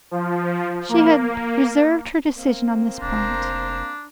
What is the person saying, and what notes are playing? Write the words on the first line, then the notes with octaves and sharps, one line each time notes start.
She had reserved her decision on this point.
F3
A#3
A#3 C4
F1 D4 C5 A#5